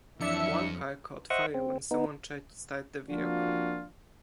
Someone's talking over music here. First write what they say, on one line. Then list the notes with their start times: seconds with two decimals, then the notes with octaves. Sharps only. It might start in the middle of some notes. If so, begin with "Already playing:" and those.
One car caught fire when someone tried to start the vehicle.
0.20 F2 E3 F#3 D4 E5 C#7
1.30 C5 D#5 E5 F#5 C#6
1.54 C4
1.91 B3 D#4
3.09 F3 A#3 C4 D4 F4 F#4